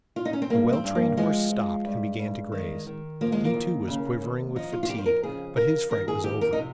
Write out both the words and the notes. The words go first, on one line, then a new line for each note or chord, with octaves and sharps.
The well-trained horse stopped and began to graze; he too was quivering with fatigue, but his fright was over.
F4
D#4
C#4
C4
G2 A#3
C4
G2
A#3
F3 G#3
F3
G2
G2
D#3
D#3
F3 A#3
G#3
A#3
D#2
C#3
D#2
F3 D#4
F4
F4
F2 G4
C5
A#4
C#3 G#4
F2 A#4
D#3 A#4
G#4
F2 G4
A#4
D#4
C3